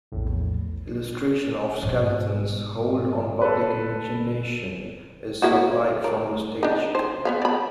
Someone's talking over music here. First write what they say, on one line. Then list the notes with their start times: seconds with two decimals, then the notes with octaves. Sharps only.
Illustration of Skelton's hold on public imagination is supplied from the stage.
0.12 A#1 E2 A2
1.82 G#2 B2
3.42 A4 B4
5.42 A#3 E4 F#4
6.04 A#4
6.63 D4 D#4
6.95 C5
7.25 B3 B4 F5
7.42 D5 B5